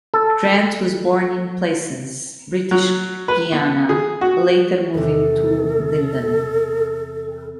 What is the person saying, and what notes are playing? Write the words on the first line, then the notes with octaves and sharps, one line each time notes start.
Grant was born in Plaisance, British Guiana, later moving to Linden.
A4
F#3
B4
B3
G#4
F#4
E2 C3 A4